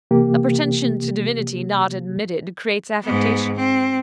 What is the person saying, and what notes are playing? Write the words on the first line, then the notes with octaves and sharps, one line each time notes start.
A pretension to divinity not admitted creates affectation.
C3 E3 A#3 G4
G#2 B3
C4